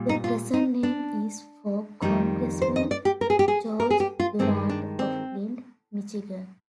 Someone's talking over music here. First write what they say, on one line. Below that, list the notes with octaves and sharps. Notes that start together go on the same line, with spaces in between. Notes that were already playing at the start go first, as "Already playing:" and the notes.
The present name is for congressman George Durand of Flint, Michigan.
Already playing: A#2 G3
D#4
F4
D#4
D4
F2 D#3 G3 D#4
C5
D#5
D5
G4
A#4
G#4
G4
G#4
A#4
G#4
G4
F4
G2 D#3 G#3 C4
D4
C4